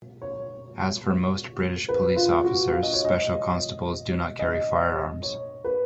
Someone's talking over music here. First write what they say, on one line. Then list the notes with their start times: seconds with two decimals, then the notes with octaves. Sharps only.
As for most British police officers, Special Constables do not carry firearms.
0.22 C#5
1.89 B4
2.16 F4
2.44 F#4
2.73 F5
2.83 D#5
2.94 C#5
3.05 D#5
4.39 D#5
5.23 C#5
5.64 B4